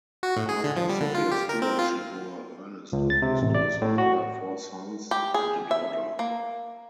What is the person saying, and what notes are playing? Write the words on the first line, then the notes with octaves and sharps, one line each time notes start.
After Sophia's tour, she bore Ernest Augustus another four sons and a daughter.
F#4
A2
G#4
D3
F3
G3
D3
F4
G4
A#4
C4
F4
C#2
A6
C3
A1
D5
A2
F#4
G4
G#4
E5
A#3